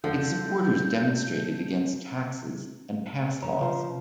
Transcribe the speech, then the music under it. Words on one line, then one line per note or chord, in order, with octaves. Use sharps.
Its supporters demonstrated against taxes and pass laws.
D3 F3 A4 G6
D2 C#3 C#5 A#5
C3 F3 B4 A#5